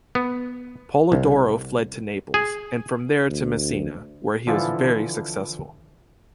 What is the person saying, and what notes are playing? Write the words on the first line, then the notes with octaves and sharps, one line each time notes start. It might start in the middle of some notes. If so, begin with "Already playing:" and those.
Polidoro fled to Naples, and from there to Messina, where he was very successful.
B3
C2
G#4
D2
D3 E3 F3 E4 F4 A4